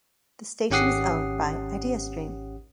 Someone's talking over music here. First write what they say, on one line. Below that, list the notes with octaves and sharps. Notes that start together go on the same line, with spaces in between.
The station is owned by Ideastream.
G#1 C#4 G4 F#5 D#6 C7